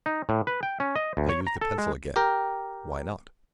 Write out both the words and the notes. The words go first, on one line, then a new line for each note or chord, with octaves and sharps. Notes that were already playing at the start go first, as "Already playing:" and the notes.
I used the pencil again: "Why not?"
D#4
A2
B4
G5
C#4
D#5
D2
C#5
A#5
A4
G#3
G4 A#4 G5